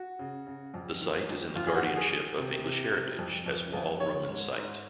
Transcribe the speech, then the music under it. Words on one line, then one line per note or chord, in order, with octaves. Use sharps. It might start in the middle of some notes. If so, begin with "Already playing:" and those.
The site is in the guardianship of English Heritage as Wall Roman Site.
Already playing: F#4
C#3
C#3
F2
D#3
F2
F2 F4
G#4
F#4
D#3
G#4
D#3
C3
C3
C3
F2
F2
F2
D#3 C#5
G#2
G#2